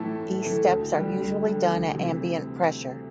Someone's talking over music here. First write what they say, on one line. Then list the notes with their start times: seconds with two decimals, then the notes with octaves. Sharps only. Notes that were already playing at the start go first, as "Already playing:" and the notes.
These steps are usually done at ambient pressure.
Already playing: A2 E3 A3 E4 A4
0.16 A2
0.41 E3 A3 E4 A4
0.67 D2
0.93 D3 G3
1.18 D2
1.44 D3 G3
1.69 D2
1.94 C3 E3